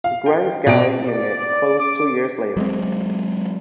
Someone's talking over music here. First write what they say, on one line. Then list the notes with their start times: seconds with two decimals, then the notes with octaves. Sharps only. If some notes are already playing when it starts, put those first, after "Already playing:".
The Grimes Galley unit closed two years later.
0.04 F5
0.26 G5
0.67 B2 D5 D7
1.08 D5
1.80 D6
2.57 F#3 G#3 C4